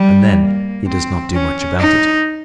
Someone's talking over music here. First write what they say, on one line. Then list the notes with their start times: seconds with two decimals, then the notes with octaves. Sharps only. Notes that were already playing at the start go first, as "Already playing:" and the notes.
And then he does not do much about it.
Already playing: G3
0.41 A#3
0.87 C4
1.33 C#4
1.79 D#4